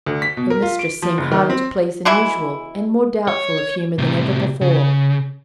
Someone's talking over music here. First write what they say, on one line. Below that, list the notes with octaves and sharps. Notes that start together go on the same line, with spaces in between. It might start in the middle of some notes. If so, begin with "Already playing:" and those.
Her mistress seemed harder to please than usual, and more doubtful of humor than ever before.
D2
B6
B2
A#4
F4
D7
F3
F#1
D#3
C4
B2 E3 G#3 E4
C#5
A2 C3
C#3